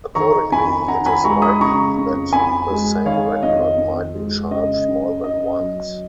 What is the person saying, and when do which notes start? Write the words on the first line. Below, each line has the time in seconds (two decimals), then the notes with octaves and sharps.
Accordingly, it is likely that the same record might be changed more than once.
0.15 D#3 A#5 C#6
0.52 F2 G#5 B5
0.88 F2 F#5 A#5
1.06 G#5 B5
1.24 G#3 A#5 C#6
1.42 B5 D#6
1.60 C#3 A#5 C#6
1.97 F2
2.33 F2 G#5 B5
2.70 G#3
3.05 D#3 C#5 F5
3.43 F2 D#5
3.78 F2
4.15 G#3
4.51 C#3 D#5
4.87 F#2
5.23 F#2 D#5
5.60 F#3